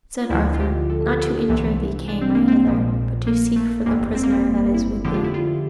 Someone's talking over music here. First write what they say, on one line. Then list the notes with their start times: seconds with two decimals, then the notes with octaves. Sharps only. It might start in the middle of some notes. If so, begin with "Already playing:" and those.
Said Arthur, "Not to injure thee came I hither, but to seek for the prisoner that is with thee."
0.21 F4
0.30 D2 D3 F3 E4
0.54 F4
0.60 G4
0.90 A4
1.20 A4
1.49 C2 C3 E3
2.08 D4
2.21 C4
2.35 A#3
2.48 C4
2.67 A#1 A#2 F3
3.27 A#3
3.56 A3
3.86 G1 F2 E3 A#3
4.15 C4
4.23 A#3
4.31 C4
4.74 E4
5.04 F2 D3 F3 G4
5.14 F4
5.24 E4
5.34 F4